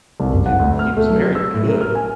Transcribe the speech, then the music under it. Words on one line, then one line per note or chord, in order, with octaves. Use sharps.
and he was very good,
C2
F#1
F#5
D2
F6
A3
F#3
E6
A2
A#4
F6
G#5